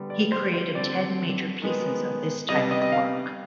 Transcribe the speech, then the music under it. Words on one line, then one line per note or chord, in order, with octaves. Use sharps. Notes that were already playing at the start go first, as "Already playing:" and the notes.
He created ten major pieces of this type of work.
Already playing: D3 G3 B3
D5
C5
C5
D3 G3 C4 D5
D#3 G#3 B3
C3 G3 B3 D#5
D#5
D#5
F5